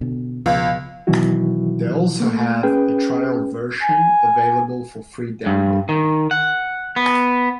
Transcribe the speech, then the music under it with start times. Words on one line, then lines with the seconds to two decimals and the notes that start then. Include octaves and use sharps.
They also have a trial version available for free download.
0.01 B2 D3
0.46 C#2 B2 F3
1.07 B2 D#3 E3 F#3 E4 F#4
2.20 A3 A#3
2.63 C#4 G#4 B4 G5
3.83 G#5
5.46 G2
5.89 D#3
6.31 F#5
6.96 B3